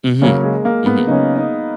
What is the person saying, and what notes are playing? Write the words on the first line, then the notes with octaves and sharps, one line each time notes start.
Mhm. Mhm.
C#3 F#3 A#3 C#4
G#3
A#3
B3
C#3 F#3 C#4 D#4
D#4